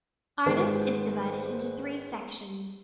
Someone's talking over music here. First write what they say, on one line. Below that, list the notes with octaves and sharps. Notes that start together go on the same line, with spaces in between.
Ardas is divided into three sections.
G#1 D#3 G#3 B3 C5